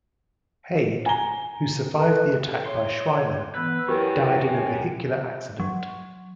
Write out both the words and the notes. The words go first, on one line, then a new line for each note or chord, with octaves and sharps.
Hade, who survived the attack by Shriner, died in a vehicular accident.
G#5 A#5 G7
A4 B4
C#5 C6
E3 B3 B4 E6
F#2 C#4 E4 G4 A#4 B4 G5
G#5
F#3